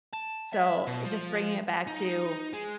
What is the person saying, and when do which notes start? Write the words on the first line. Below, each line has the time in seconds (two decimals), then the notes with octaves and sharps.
so, just bringing it back to
0.13 A5
0.53 E5
0.88 B2
1.05 F3
1.87 D#4
2.53 G#3